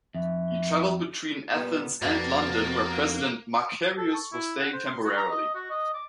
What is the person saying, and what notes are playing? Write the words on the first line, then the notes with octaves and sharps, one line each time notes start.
He travelled between Athens and London where President Makarios was staying temporarily.
F2 E5
A#2 G3 B3
F2 A#3 B3 F#4 A5
A4
C#6
E4
F#5
C5
C6
F#4
A#5
D#5
F#4
D#5
D6